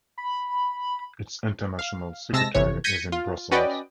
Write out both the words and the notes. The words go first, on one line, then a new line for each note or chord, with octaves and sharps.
Its International Secretariat is in Brussels.
B5
F5
C3 G#3 A5 E6 A#6
G1 C3 E3 C#5
G6 G#6 A#6 B6 C#7 D#7
F4
C#4 F#4 B4 D5 D#5 G5